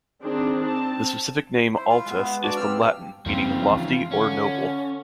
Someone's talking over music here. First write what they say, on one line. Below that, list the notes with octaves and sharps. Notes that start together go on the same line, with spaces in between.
The specific name "altus" is from Latin, meaning "lofty" or "noble".
D#3 C4 D4 G#4
C4 A5
E4 C5
F4
G#3 B3
D4 F#4 D5
F3 C4 G4 E6 F6
F#2 C#3 F3 A#3 C4 F4
E3 G#3
D3 C#4